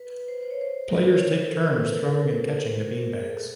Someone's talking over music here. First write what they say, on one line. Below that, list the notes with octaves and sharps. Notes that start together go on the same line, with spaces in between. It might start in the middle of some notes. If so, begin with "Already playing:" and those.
Players take turns throwing and catching the bean bags.
Already playing: B4
B4
C5
C5
C#5
C5
A#4
B4
C#5
C5
A#4
A4
A#4
B4
B4
A#4
A4
G#4
A#4
B4
C5
C5
A#4
G#4
A4